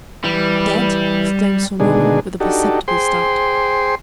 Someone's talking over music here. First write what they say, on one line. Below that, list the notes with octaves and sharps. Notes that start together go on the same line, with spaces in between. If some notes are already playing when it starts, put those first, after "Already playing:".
"Dead!" exclaimed Sir Norman, with a perceptible start.
E3 G3
B2 D3 D#3 G#3 D4 G#4
D4 D#4 F#4 G4 A4
G#4 C5 G5 C6